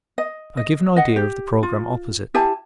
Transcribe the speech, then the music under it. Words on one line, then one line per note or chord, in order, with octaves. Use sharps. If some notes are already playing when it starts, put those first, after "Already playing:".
I give an idea of the programme opposite.
D#5
D#5
D#5 F#5
G4
F4
E4 G4 G#5 A5